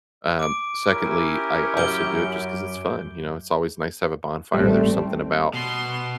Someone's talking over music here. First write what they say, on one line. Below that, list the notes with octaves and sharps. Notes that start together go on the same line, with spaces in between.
Um, secondly, I also do it just 'cause it's fun, you know, it's always nice to have a bonfire, there's something about
D6 D7
C#4 E4 G4 A#4
F#2 G6 D7 G7
A1 G3 A3 C4
B2 C6